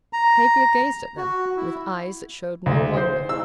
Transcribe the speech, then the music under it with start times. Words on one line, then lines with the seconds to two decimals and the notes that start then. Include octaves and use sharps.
Tavia gazed at them with eyes that showed no wonder.
0.13 A#5
1.17 F#4
1.57 E4
2.66 D2
2.97 C5
3.29 E6